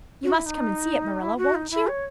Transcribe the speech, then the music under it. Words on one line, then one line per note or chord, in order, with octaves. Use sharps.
You must come and see it, Marilla--won't you?
F#4
E4
D#4
E4
F#4
D#4
E4
C#5